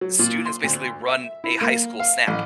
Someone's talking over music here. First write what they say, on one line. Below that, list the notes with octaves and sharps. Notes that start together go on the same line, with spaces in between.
Students basically run a high school Snap,
F#3
A#2
C6
D2
E5
E4
A#3
F5
A1